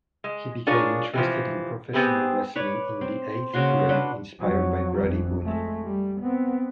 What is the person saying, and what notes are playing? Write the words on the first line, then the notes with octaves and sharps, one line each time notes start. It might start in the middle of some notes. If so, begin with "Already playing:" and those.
He became interested in professional wrestling in the eighth grade, inspired by Brady Boone.
G#3
D4 F4 G#4 A#4 C#5
C3 E3 F3
B3 C4 G4 G#4 B4
B4 C#5 D5
C4
C#3 A#3 F#4 C6
D4 A4 B4 C6
F2 F#3
G#1 F2
G#3 A3
G3
B3 C4